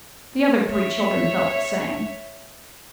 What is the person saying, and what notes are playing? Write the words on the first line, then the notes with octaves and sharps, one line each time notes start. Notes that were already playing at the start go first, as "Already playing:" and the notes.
The other three children felt the same.
C#5 E5